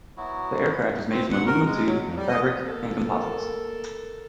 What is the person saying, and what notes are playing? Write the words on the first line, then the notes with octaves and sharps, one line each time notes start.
The aircraft was made from aluminium tube, fabric and composites.
F#3 B3 E4 F#4
C4
F#5
A#4
G#3
F#3
F2
G3
D#5
A#3 A4 A#4